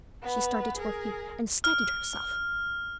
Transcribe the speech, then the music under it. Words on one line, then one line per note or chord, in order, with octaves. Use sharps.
She started to her feet, and steadied herself!
B3 B4
G#4 A#4
F6